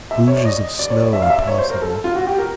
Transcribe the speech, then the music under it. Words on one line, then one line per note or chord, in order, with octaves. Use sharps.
Deluges of snow are possible.
E5
C#5
D5
D#5
D5
C#5
D5
E5
F5
E5
D5
C#5
C5
A#4
A4
F4
F#4
G4
A#4